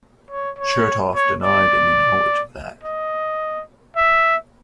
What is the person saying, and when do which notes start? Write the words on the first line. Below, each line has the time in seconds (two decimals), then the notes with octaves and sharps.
Chertoff denied any knowledge of that.
0.31 C#5
0.59 C#5
1.15 C#5
1.43 D5
2.83 D#5
3.96 E5